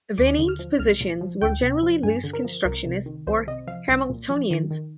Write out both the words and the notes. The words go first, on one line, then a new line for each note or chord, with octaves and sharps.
Vining's positions were generally loose-constructionist, or Hamiltonian.
D#2 D6
D3
F6
F3
C2 F6
A#2
F3
D2 G5
C3
F3
G2 G#5
D3
A#4
F3
C2 A#4
C3
D#3
C2 C5
C3 D#5
F3 F5
C2
A#2
F3
D#3
D#3